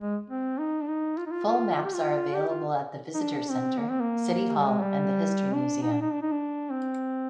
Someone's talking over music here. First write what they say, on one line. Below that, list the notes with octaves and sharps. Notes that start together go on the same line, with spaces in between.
Full maps are available at the visitor center, city hall, and the history museum.
G#3
C4
D#4
D4
D#4
F4
D#4
F4
F4
F4
G4
F4
G4
F4
D#4
D4
C4
A#3
C4
A#3
G3
G#3
G3
D4
D#4
D4
D#4
D4
D#4
D4
C4